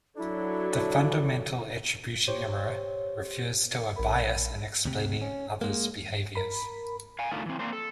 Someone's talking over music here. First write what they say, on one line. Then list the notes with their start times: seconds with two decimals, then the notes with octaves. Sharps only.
The fundamental attribution error refers to a bias in explaining others' behaviors.
0.17 F#3 D4 E4 A4
2.27 G4 C5 C#5
3.96 A#1 A#4 B5
4.85 D2 C3
5.21 C#4
5.61 G#3 A#3
6.35 A#4 B5
7.19 F5 G#5
7.31 D3 A3 D#4 F4 A#4
7.46 E3 C4
7.59 A#3 C4 D4 C5
7.73 A4